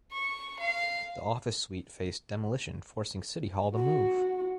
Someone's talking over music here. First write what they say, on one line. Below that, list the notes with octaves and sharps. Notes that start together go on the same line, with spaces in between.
The office suite faced demolition, forcing city hall to move.
C#6
F5
F#4